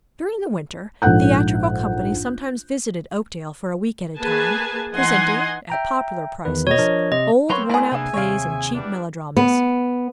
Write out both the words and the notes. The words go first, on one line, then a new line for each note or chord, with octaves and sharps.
During the winter, theatrical companies sometimes visited Oakdale for a week at a time, presenting, at popular prices, old worn-out plays and cheap melodramas.
A#1 G#2 A4 F#5 F#6 G6
A#3 G#4 B4 G#5 A5
E3 D#4 D#5 F#5 G#5 C6
E5 G5 A#5
E2 D#3 B4
B2 B3 C#5 D#5
F3 D4 A#4
C3 D#5
F#3 A#3 C4 B4 C#5 A#5 C6
A3 E4 G#4 D5 A#5
C3 A#3 B3 D4 G#4 E5 G#5
D#2 C3 C#5 F5
E2 G3 D4
B3